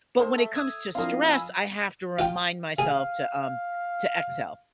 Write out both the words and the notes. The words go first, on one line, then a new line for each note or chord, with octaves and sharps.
But when it comes to stress, I have to remind myself to, um, to exhale.
D#3 A4 C5
A3
D#6 E6 G#6
F3 A#3 C4 D4 E4 F4 D#5 F5
G#5 B5 E6
F4 G5
G#4 F5 G#5